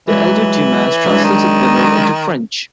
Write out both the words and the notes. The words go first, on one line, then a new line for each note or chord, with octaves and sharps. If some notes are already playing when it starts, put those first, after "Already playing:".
The elder Dumas translated "Lenore" into French.
E3 F#3 G#3
F#3 G#3 D4
D#3